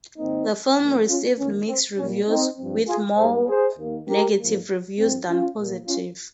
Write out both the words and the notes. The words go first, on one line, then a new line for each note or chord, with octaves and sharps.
The film received mixed reviews, with more negative reviews than positive.
G#2 D#3 A#3 C4 D#4
G#2 F3 A#3
C#4 F4
F2 D#3 A#3 C#4
C4
A#2 G3 A#3 C#4
C4 D#4
G2 F3 C4
F4 G#4
G#2 G3 A#3 G#4 C5
G#4 C5
D#2 D#3 A#3
G4 A#4
G#2 F3 A#3
G2 F3 C4
C#4 F4
A#2 F3 A#3
C#4 F4